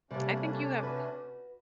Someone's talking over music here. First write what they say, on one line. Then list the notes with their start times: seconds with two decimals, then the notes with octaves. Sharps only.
I think you have
0.11 C3 G3 A3 A#3 C#4 D4
0.83 F#4 B4